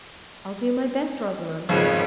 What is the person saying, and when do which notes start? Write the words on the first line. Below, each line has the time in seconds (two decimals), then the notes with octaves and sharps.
'I'll do my best, Rosamond.
1.69 G#1 F2 C#3 B3